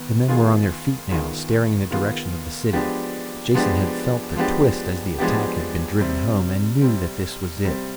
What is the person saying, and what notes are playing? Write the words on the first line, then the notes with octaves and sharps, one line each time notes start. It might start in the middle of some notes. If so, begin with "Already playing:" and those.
The men were on their feet now, staring in the direction of the city. Jason had felt the twist as the attack had been driven home, and knew that this was it.
Already playing: D#3 B3
D#3 B3 F4 G#4
D#3 B3 F4 G#4
D#3 B3 F4 G#4
F3 G#3 B3 D4 G4
F3 G#3 B3 D4 G4
F3 G#3 B3 D4 G4
F3 G#3 B3 D4 G4
C3 G3 C4
C3 G3 C4
C3 G3 C4